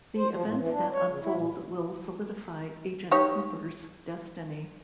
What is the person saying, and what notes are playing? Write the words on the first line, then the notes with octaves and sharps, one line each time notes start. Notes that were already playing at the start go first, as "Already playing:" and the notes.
The events that unfold will solidify Agent Cooper's destiny.
C5
F3
A2
E3
D4
C#5
C#3
E4
A#2
D#4 G4 C#5